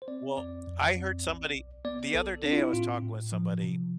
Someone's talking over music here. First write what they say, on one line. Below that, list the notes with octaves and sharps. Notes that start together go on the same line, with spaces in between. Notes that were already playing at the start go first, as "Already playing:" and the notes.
Well, I heard somebody the other day I was talking with somebody
C5
C4 D5
F2 D5
F2
C4
B1
B1
B3 D5
B1 A4
C4 D4
F4
E4
A2 F4
A2
F3
C3